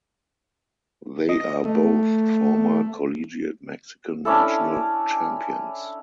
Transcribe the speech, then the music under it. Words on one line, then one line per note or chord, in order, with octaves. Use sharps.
They are both former collegiate Mexican national champions.
D#5
A3
C#4 D4 E4 A4